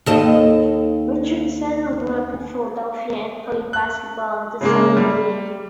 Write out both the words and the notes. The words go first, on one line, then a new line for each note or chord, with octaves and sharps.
Richardson grew up in Philadelphia, and played basketball in the Sonny Hill League.
D#2 A4 D#5
F#6
C#3 G#3 A#3
G3